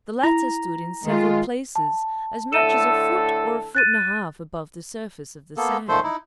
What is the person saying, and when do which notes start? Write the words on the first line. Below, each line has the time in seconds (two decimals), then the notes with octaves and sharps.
The latter stood in several places as much as a foot or a foot and a half above the surface of the sand.
0.23 E4 A#5
1.04 D#3 G#3 F4
1.75 A5
2.53 A2 D3 A4 E5 D#7 E7
3.75 F#6 A6 D#7
5.57 A#3 B3 A4
5.89 A#2 D#3 A3 A4 C5 C6
6.03 D#4 E4